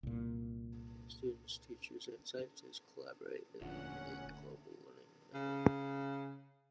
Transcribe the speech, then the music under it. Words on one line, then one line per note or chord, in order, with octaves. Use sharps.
Students, teachers and scientists collaborate in a unique global learning network.
C2 A#2
E1 D2 A#2 D3 F3 C#4 F#5
C#3